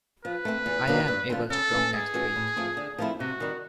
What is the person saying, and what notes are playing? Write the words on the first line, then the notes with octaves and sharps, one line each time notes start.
I am able to come next week.
F3 B4
A3 C4
E2
B2 F#3 A#3 D4
G2
D3 F3 A3 C4
C#3 A4
E3 A3 C#4
G#2 G#4
E3 A3 C#4 F#4
A2
F3 A3 C4
D3
F3 A3 C4 E4
C3 F#4
D#3 G3